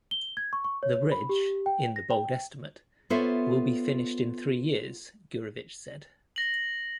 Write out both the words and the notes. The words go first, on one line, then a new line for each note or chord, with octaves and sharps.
"The bridge, in the bold estimate, will be finished in three years," Gurevich said.
G7
G#6
C#6
C#6
C#5
B5
G4
G5
A#6
G5
B3 F4 A4 C5 C#5 E5
A#6 F#7